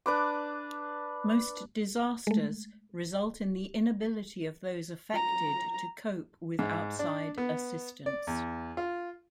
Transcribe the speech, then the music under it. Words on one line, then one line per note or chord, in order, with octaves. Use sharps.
Most disasters result in the inability of those affected to cope with outside assistance.
D4 B4 D6
G#3 A3
A#5
G#2
D4
B3
D5
E2
F4